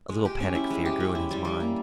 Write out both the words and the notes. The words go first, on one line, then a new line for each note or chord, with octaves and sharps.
A little panic-fear grew in his mind.
G#3
G4
C#4
E4
G#3
G4
C#4
E4
G3
G3
A#3